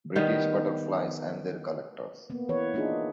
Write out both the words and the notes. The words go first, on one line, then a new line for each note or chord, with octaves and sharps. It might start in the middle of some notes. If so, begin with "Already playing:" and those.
British Butterflies and their Collectors.
D#3 G3 B3
A#3 B3
E3 B4 C#5
A#3 D4 D#4 F4 G#4